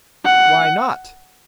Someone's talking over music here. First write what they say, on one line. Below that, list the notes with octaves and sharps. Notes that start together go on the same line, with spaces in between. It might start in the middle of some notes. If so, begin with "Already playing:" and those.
Why not?
F#5